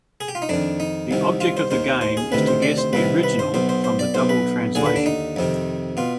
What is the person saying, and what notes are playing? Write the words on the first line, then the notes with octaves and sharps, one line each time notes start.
The object of the game is to guess the original from the double translation.
G#4
G4
F4
D#4
F2 D#3 D4
D#4
C2 C3 D#3
F4
C5
D#2 D#3 C5
C5
G#4
D2 C3 D#3 B4
C5
D5
C5
C2 C3 D#3 B4
B4
C5
B1 B2 C5
C5
C5
D5
B1 B2 C5
B4
D#2 D3 G#4
B4
D4
D#4
F2 C3 D#3
B2 F4